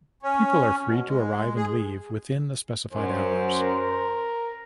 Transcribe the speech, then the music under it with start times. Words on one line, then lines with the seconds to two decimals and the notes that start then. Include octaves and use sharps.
People are free to arrive and leave within the specified hours.
0.23 C#4
0.85 B2
1.07 G#3
1.56 G#4
2.93 F#2 C5
3.61 A#4